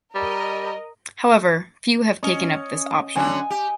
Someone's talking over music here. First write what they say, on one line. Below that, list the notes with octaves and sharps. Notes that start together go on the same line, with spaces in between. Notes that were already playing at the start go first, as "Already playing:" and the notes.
However few have taken up this option.
G3 A#4 D#5
C#4 D#5
D3 F#3 C#4 G#5
G4